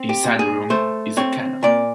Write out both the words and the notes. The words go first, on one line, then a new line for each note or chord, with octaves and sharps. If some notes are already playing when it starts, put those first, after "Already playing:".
Inside the room is a cannon.
Already playing: C4
G4
A#2
G#4
A3 C5
C4 C#5
A#2 D5